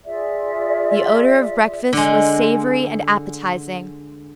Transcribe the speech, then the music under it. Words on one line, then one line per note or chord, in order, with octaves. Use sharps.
The odor of breakfast was savory and appetizing.
F4 G#4 D5 E5
D3 G#3